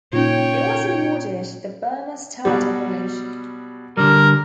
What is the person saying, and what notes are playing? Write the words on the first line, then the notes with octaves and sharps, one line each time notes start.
He was awarded the Burma Star Decoration.
A#2 C#4 D#4 F4 C#5 G5
B2 F#3 G3
D3 G3 A#4